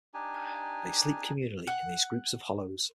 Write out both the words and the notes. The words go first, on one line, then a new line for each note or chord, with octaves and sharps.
They sleep communally in these groups of hollows.
D4 D#4 G4 G#5
F#5